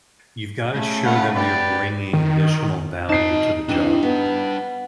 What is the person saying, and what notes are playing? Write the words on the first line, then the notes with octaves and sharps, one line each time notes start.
you've got to show them that you're bringing additional value to the job.
C#3 A3
F5 F#5 B5
G4 B4 D5
D#3
D#4 D#5 A5 C7
C3 E3 G3 D4
B3